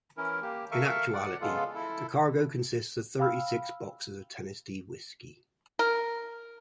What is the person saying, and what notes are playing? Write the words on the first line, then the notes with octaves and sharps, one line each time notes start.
In actuality, the cargo consists of thirty-six bottles of Tennessee whisky.
E3 C#4 E4 A#4
A#3 G4
A4 A#4 E5 F5 C#6
D5 F#5
C#3 G#3 B3 F4 A4
E4 A4
F5 G5 B5 E6 F6
A#4